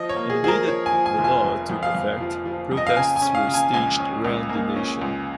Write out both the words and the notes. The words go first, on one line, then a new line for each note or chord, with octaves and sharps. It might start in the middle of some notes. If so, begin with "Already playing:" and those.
On the day that the law took effect, protests were staged around the nation.
Already playing: F3 D#5
C#5
A#3
G#4
F3 G#4
A#4
F3 C#5
G#5
F3
G#5
F1
G#5
F2
F2
F5
F2
F3
F3
F2
D#5
F5
C#3 G#5
G#5
C#4
F5
C#3
G#5
C#2 G#5
C#4
C#2
A#3
C#4
C#2